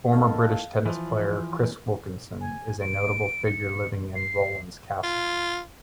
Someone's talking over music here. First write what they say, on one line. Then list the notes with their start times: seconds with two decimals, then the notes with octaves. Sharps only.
Former British tennis player Chris Wilkinson is a notable figure living in Rowland's Castle.
0.13 D#3 A4 F5
0.86 E3 F3
2.41 G#5
2.81 D7
3.45 C#7
4.16 C7
5.04 F4